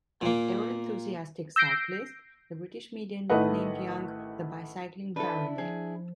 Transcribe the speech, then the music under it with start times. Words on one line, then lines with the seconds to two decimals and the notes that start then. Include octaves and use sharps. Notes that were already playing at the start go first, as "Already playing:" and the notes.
An ever-enthusiastic cyclist, the British media nicknamed Young the "Bicycling Baronet".
0.21 A#2 A#3
1.56 E6 G6 A#6 C7 D7
3.30 A1 D#3 A3 B4 D#5 F#5
5.16 D4 E4 A4 B4
5.58 F3 G#4